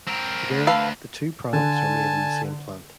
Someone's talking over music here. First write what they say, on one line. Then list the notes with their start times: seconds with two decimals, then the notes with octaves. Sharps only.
Today, the two products are made in the same plant.
0.07 C4 A#4
0.50 D2
0.67 A4 B4 F5
1.53 D3 G#5 A5